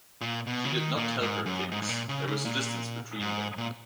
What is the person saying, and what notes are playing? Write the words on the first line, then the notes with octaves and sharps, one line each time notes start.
He did not tell her things; there was a distance between them.
A#2
B2
C#3
D#3
A#2
G#2
F#2
G#2
G#2
A#2
C#3
C#3
A#2
G#2
A#2